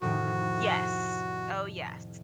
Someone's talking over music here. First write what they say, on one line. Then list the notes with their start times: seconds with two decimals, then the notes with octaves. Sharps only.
Yes. Oh yes.
0.01 F1 A2 D#3 F#4